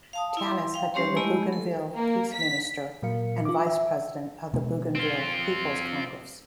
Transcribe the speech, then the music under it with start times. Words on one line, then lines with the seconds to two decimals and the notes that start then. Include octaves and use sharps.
Tanis had been the Bougainville Peace Minister and vice-president of the Bougainville People's Congress.
0.13 F5 A5 D#6
0.37 E4 E5 C6
0.74 F5 G5
0.94 G3 C#4 G4 C#5 C6
1.16 G#3 A3 E4 G4 D#5 B5
1.53 A4
1.94 A#3
2.33 B6
3.03 A#2 F#3 A#4 F5 C#7
3.45 F4 D6
3.67 E5
4.53 B2 G#3 B3
4.95 C4 F4